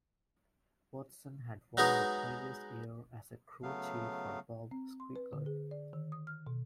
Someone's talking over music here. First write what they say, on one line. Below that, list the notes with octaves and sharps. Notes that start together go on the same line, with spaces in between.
Watson had won the previous year as a crew chief for Bob Sweikert.
F#3 G#3 B3 D#4
C#3 F#3 A3 B3 F5
C4
C6
B4
D3
G#4
D5
D#3
D#6
F6
B2